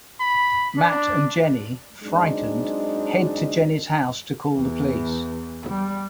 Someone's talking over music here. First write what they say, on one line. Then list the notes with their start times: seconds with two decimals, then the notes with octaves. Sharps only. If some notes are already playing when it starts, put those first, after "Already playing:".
Matt and Jenny, frightened, head to Jenny's house to call the police.
0.20 B5
0.78 D4
2.04 F#3 G#3 C4 D4 D#4
4.54 E2
5.70 G3